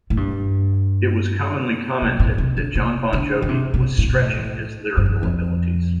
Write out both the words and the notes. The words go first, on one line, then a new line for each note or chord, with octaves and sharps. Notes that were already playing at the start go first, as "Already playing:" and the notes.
It was commonly commented that Jon Bon Jovi was "stretching" his lyrical abilities.
A2
G2
C3
A2
C3
D3
C3
D3
D3
C3
C3
A2
C3
A2
G2
F2
F2